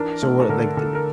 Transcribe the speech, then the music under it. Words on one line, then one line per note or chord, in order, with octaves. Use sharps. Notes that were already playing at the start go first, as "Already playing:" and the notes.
So what, like, did they
Already playing: E3 D4 A#4
A3
A4
D3 A#4
D3 A4
A#4